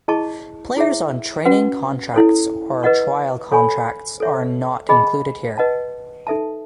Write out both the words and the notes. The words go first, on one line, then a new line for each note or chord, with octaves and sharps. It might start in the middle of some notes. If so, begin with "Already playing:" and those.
Players on training contracts or trial contracts are not included here.
E4 G#4 D#5 A5 C#6
E4 G#4 C#5 E5
C#4 F#4 B4 F#5
E4 A4 C#5
B4 D#5 F#5 C#6
A4 C#5 G#5 B5
A4 C#5 E5
G#4 D#5 G#5 B5
B4 D#5 F#5 A5
D#4 A4 E5 A5